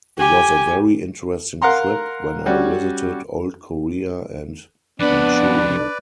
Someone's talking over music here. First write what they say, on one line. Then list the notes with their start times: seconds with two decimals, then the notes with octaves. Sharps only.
It was a very interesting trip when I visited old Korea and Manchuria.
0.18 G4 G#5
1.62 A#4 F5 F#5 A#5 C6
2.46 G3 C#4 F#4
5.00 F2 B3 D4 B4 D5 B5